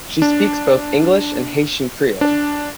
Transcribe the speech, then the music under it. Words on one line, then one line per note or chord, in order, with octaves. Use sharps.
She speaks both English and Haitian Creole.
D4
D4